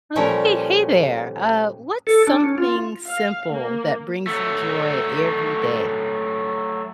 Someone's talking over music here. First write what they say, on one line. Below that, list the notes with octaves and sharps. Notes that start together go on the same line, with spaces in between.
Oh, hey, hey there! Uh, what's something simple that brings you joy every day?
A#2 F3 G3 A3 C#4 A#4
A4
D4
C#4
F4
F5
A#3
F#3 A3